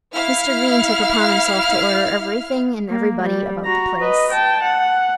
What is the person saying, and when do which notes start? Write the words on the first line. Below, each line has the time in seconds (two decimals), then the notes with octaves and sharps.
Mr. Green took upon himself to order everything and everybody about the place.
0.14 E4 F5 F6
2.89 A#3
3.23 G3
3.65 F#4 A#5
4.00 B4 D#5
4.32 G5 A5
4.63 F#5